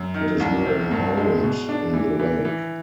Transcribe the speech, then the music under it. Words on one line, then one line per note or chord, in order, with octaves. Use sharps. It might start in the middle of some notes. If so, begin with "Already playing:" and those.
It is now an island in the lake.
Already playing: F#2
D#3
C2
C3
G2
G#3
B2
D4
E3
E3
E3